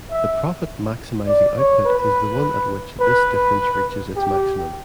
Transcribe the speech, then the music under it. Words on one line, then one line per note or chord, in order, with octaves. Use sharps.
The profit-maximizing output is the one at which this difference reaches its maximum.
E5
D5
C#5
B4
B4
G4